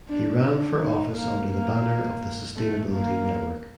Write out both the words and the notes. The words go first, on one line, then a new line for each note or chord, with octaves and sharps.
He ran for office under the banner of the Sustainability Network.
D4
D4
D#4
A#3
A#3
A3
A#3